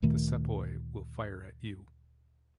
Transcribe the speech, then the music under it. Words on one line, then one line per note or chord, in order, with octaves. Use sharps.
The sepoy will fire at you!
D2 A#2 D#3 A3